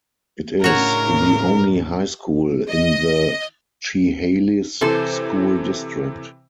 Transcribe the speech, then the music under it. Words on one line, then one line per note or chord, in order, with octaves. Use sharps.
It is the only high school in the Chehalis School District.
A2 C#3 D4 F#4 A#4 C#5
D#5
C3 E3 A4 C5